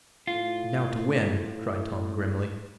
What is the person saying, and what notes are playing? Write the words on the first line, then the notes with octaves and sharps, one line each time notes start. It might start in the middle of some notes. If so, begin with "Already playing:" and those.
"Now to win!" cried Tom, grimly.
A2 F4